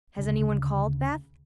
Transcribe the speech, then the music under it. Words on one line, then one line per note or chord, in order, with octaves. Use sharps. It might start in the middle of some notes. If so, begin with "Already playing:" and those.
Has anyone called, Beth?
D2 C#3